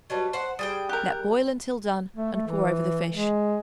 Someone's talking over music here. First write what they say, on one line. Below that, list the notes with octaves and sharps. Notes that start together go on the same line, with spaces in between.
Let boil until done and pour over the fish.
F#3 G3 B4 D#5 A5 C#6
C5 F#5
G3 G#4 G5 D#6
G4 A#4 F#6 G6
A3
A3
E3
G#3